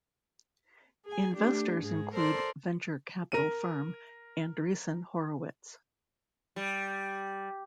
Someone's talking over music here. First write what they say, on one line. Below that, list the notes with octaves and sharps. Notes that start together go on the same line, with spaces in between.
Investors include venture capital firm Andreessen Horowitz.
G#4 G#5
A3 D4 G4
G#2 G#3 G#4
A4 A#4 C5 D5 C6
A#4 D#7
G3